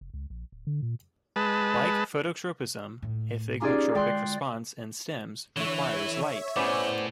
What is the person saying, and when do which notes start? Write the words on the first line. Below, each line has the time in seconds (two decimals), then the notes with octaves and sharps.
Like phototropism, a thigmotropic response in stems requires light.
0.01 F1
0.14 C#2
0.30 A#1
0.52 D1
0.67 D3
0.82 A#2
1.36 G#3 B4 A5
3.02 C#2 A2
3.62 C#4 D#4 F4 G4 G#4 D5
3.95 D3 G#3 D5 G5 C6 F#6
5.56 D3 E3 C#5 E5
6.56 A2 B3 C#4 G#4 C5 D5 D6